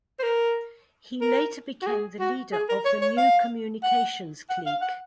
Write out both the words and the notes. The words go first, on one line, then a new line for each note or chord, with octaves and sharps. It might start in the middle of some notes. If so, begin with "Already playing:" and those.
He later became the leader of the New Communications Clique.
C5
A#4
A#4
F#4
G#4
F#4
G#4
A#4
C#5
C#5
F5
F#5
F#5
F5
F#5